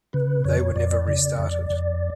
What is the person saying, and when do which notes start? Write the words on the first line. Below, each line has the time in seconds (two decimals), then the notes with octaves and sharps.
They were never restarted.
0.13 C#3 B4
0.44 F2 C#5
0.76 F2 D5
1.08 C#3
1.38 F2
1.70 F2